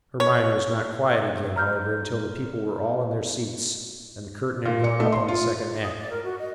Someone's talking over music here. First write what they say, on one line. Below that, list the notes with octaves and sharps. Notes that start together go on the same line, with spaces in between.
Her mind was not quiet again, however, until the people were all in their seats and the curtain had gone up on the second act.
C#5
A#5 F6 G6
A#2
C#7
A3
C6
F4
D#6
D5
A#4
F#4
D#5